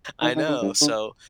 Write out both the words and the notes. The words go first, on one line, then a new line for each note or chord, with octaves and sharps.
I know. So,
D#3
D#3
D3
G2
D3